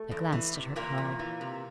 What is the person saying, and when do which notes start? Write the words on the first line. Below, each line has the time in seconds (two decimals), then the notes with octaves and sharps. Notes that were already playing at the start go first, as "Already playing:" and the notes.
I glanced at her card.
Already playing: A3
0.11 E2
0.32 E3
0.54 C3
0.76 E2 A#2 A#3
0.98 E2
1.19 E3
1.41 C3